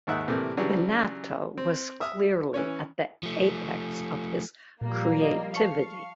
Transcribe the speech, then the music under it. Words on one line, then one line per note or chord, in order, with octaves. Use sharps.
Bennato was clearly at the apex of his creativity.
D#2 G#2 D#3 E5 F#5 F#6
A2 C3 E3 G3 A3 A#3
C#3 E3 F#3 G3 D4
C4
E5 D#6 F6
E3 C#4 C#5
F3 A3
A#2 F3 G3 A#3
D#5
F5 A5 C#6 C#7